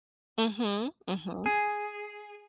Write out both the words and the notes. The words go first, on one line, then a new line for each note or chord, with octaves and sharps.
Mhm, mhm.
G#4